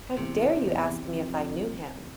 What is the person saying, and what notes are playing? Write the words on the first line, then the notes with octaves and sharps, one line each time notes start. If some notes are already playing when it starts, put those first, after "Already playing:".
How dare you ask me if I knew him?
E2 C3
E2
F2